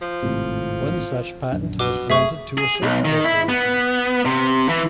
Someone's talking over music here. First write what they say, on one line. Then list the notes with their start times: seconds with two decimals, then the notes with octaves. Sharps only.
One such patent was granted to a soap corporation.
0.01 F3
0.23 G#1 A2 C3
1.52 A#1 F#2 D4
1.79 B2 D6
2.10 F#1 A3 G#4 E5 C#6
2.58 G#4
2.83 B1
3.05 D#3
3.24 E4
3.49 B3
4.25 C3
4.69 E3